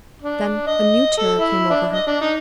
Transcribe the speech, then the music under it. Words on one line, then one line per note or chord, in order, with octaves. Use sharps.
Then a new terror came over her.
D4
D#5
A4
E4
D4
D#5
D4
D#4